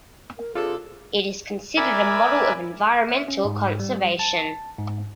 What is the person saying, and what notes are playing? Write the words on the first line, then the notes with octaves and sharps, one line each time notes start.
It is considered a model of environmental conservation.
A#4
C3 D4 F4 G#4 A4
A#4 D5 E5 G#5 B5
E5
C#4
G#2
G3
A5
G#2